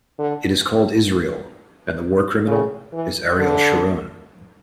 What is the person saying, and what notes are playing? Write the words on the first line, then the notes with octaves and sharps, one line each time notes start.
It is called Israel, and the war criminal is Ariel Sharon.
D3
C#3
E3
D3